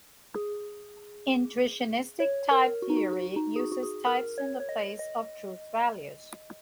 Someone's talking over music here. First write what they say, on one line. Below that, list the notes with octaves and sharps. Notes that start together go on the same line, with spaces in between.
Intuitionistic type theory uses types in the place of truth values.
G#4
C#5
A#4
F#4
D#4
F#4
F#4
D#4
G#4
F#4
F#4
G#4
A#4
C#5
C#5
D#5
D#5